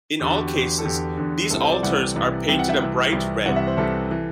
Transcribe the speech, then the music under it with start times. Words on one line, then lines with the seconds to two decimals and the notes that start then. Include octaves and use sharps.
In all cases, these altars are painted a bright red.
0.20 E2 D3 G4
0.34 F#4
0.47 G4
0.53 E2 D3
0.78 A4
0.85 E2 D3 G4
1.18 E2 D3
1.50 C2 C3 E3 A4
1.61 C5
1.72 D5
1.83 C2 C3 E3 F#5
2.16 C2 C3 E3
2.48 C2 C3 E3 G5
2.59 F#5
2.69 E5
2.81 C2 C3 E3
3.12 C2 C3 E3
3.46 C2 C3 E3 F#5
3.56 E5
3.67 C5
3.77 C2 C3 E3 A4
4.11 E3